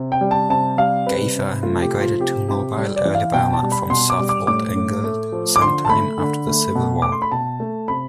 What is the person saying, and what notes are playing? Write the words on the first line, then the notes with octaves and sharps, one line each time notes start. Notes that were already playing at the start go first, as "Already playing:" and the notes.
Gayfer migrated to Mobile, Alabama from Southwold, England sometime after the Civil War.
Already playing: C3
G5
G3
A5
C3 A5
G3 F5
C3 B4
C3
A3 F4
G4
F3
F4
C3 G4
C3 G4
G3
D5
E3
F5
B2 G5
A5
G3
B5
B2 C6
D6
G3
D6
A2 D6
A2
A3
F3
D6
D3 C6
A5
A3 B5
D3
A3
B2
A3 D6
C6
B5
B2 A5
A3
C3 B5